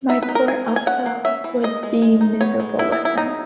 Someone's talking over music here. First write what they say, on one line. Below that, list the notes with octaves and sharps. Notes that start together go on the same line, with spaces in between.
My poor Elsa would be miserable with him.
D#4 E5
B4
D#4
A#4
G#3 G#5
D#4
G#5
C#4 F#5
A#3
C#4 E5
E3
G#3 D#5
G#3
G#3
D#4
B3 C#5
G#3
B3 E4
E4
G#3
E4
F#3 D#4